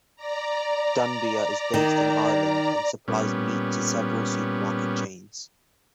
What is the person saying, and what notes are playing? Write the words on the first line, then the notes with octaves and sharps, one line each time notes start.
Dunbia is based in Ireland and supplies meat to several supermarket chains.
D5 A#5
D#3
A#2 G3 B3 C#4